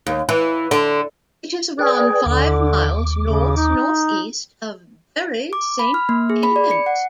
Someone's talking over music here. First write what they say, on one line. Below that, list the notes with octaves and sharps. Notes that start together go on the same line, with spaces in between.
It is around five miles north-north-east of Bury Saint Edmunds.
D#2
E3
D3
G#4 B4 D5 G5
D#2 D3 D6
C#3
D#4
D6
B5
F6
A#3
G#4
B5
D5
C#7
F#5